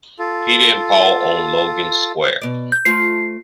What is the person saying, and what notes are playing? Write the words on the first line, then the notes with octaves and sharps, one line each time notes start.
Peter and Paul on Logan Square.
F4 A4
B2 D5
G6
A3 F4 C5 C7